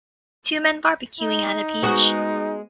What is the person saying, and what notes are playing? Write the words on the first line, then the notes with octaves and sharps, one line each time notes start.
Two men barbecuing at a beach.
D#4
G#3 B3 F#4